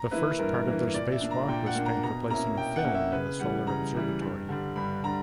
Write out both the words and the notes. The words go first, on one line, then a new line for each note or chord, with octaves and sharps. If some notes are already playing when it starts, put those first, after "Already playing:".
The first part of their spacewalk was spent replacing film in the solar observatory.
Already playing: A#5
E3 A#3 E4 B4
G2 A#4
E3 A#3 E4
A#2 D5
E5
A#3 D4
A#5
A#2 G5
F#5
A#3 D4
A#5
B2 A#5
A#3 C#4 E4 A#5
B2 G5
F#5
A#3 C#4 E4
E5
C#3 B4
E3 G3 F#5
C#3 A#5
E3 G3
G2
D3 G3
G2 B5
D3 G3 A#5